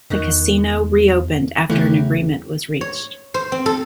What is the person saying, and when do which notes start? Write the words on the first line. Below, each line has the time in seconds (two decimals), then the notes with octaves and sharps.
The casino re-opened after an agreement was reached.
0.10 E2 D#3 D#4 F#4
1.70 E2 C#3 F#3 A3 E4 G4
2.81 C#5
3.34 C5
3.52 C4
3.66 A4